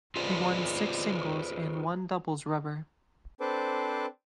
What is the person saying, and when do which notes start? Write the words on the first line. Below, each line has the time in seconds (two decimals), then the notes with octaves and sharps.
He won six singles and one doubles rubber.
0.16 F4 G#4 B4 C5 D5
3.40 C4 D4 A4 B4 C5 D6